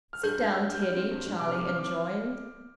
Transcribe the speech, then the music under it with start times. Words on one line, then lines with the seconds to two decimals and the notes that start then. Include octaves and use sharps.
"Sit down, Teddy," Charlie enjoined.
0.13 F6
0.23 G2 G6
0.38 G2
0.53 G2
0.66 G2
0.74 G6
0.82 G3 F6
0.96 C4
1.11 G2
1.26 G2
1.39 C3 D6
1.50 F6
1.54 F3 D6
1.68 C4 F6
1.79 D6